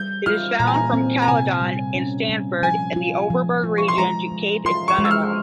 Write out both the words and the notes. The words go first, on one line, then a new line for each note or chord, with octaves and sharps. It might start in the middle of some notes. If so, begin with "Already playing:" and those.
It is found from Caledon and Stanford in the Overberg region to Cape Infanta.
Already playing: G3 G6
F4 F6
A#2 A#5
G#5
A#5
C4
A#5
C3 G#5
G3
C#4
G3
F3 G#5
F4
F3
F4
C#6
C6
G#3 A#5
G#3
F4 C6
C#6
G#3
E6
F6